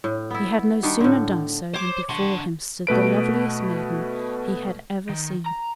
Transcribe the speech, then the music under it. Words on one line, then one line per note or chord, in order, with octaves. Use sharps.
He had no sooner done so than before him stood the loveliest maiden he had ever seen.
A2
B3 E4
D#3 G3 D4 F#5
A2 D3
C5 C#5 D6
D4 F#5 C6 C#6
B2 A3 B4 D7
D#3
A#5